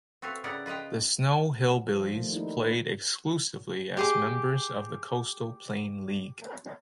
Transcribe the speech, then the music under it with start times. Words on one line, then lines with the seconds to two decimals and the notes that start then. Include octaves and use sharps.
The Snow Hill Billies played exclusively as members of the Coastal Plain League.
0.22 C4 F#4 A4 B4 E5 F5
0.44 C#3 B3 E4 A#4 D5 F#5
0.66 F4 B4 D#5 F5 G5
1.92 F3
2.17 D#3 G3 A3
2.33 A#3 D#4 E4
2.59 B4
3.97 G4 G#4 D6